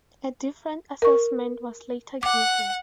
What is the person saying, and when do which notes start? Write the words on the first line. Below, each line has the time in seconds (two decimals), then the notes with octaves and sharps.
A different assessment was later given.
1.02 A#4 C#6
2.23 F#5 D6